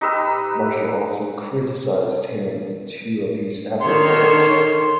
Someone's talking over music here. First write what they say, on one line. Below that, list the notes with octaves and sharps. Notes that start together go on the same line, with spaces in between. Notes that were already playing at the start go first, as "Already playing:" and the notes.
Marcial also criticized him in two of his epigrams.
D#4 G4 B4 E6
D3 D#3 C#5 C6